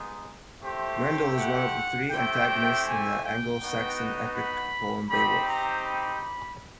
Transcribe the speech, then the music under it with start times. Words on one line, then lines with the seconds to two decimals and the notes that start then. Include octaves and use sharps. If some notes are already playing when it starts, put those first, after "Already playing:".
Grendel is one of three antagonists in the Anglo-Saxon epic poem Beowulf.
Already playing: G#3 B3 D#4
0.61 A3 C4 E4 G4 C5
1.36 F#5
2.11 A3 C4 E4 G4 G5
2.85 G#5
3.23 G5
3.60 B3 D#4 F#4
4.35 B5
5.09 C4 D#4 G4 B5
5.47 A#5
5.84 B5